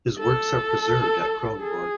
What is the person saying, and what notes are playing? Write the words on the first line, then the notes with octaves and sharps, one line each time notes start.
His works are preserved at Kronborg.
A4
G#4